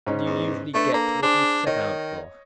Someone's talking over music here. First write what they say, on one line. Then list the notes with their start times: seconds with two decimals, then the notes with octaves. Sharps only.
And you usually get what you set out for.
0.07 G#2 C#4 D#4
0.26 E2
0.74 A3 D4 A4 B4
0.94 A#3
1.22 D4 G#4 C5
1.67 D#3 C#5 D#5